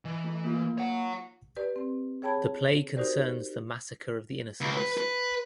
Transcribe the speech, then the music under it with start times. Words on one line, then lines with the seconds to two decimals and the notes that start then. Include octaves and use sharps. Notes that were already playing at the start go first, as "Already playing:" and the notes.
The play concerns the massacre of the innocents.
0.05 E3 D#5
0.24 A3 E4
0.44 A#3 D#4 F4
0.78 C#5 F#5
1.56 G4 B4 D5
1.76 C4
2.22 G#4 C#5 G5 A5 B5 G#6
2.96 D#4 F#4 G4 A#4 C5 D5
4.61 C#2
4.77 B4
4.97 B4